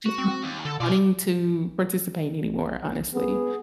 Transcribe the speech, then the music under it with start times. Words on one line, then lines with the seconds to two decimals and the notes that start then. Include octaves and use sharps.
just really not wanting to participate anymore, honestly.
0.06 F#4
0.18 C4
0.43 D#2
0.65 D3 A4
0.80 B2 D5 F5
3.14 B3 G#4